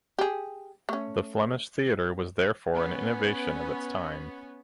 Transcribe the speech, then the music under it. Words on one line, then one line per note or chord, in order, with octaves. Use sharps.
The Flemish theatre was therefore an innovation of its time.
G4 G#4
A3 C#4
B3 C#4